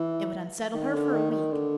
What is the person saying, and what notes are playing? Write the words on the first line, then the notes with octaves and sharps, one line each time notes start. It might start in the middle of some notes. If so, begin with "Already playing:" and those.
It would unsettle her for a week.
Already playing: E3
D#3
D3
D#3
D#3
D3